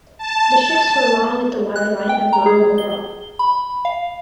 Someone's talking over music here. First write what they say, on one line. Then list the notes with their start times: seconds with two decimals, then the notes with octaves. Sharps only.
The ships were long at the waterline and long overall.
0.18 A5
1.76 F#6
2.09 G5
2.33 A#5
2.46 G#4
2.78 G7
3.39 B5
3.85 F5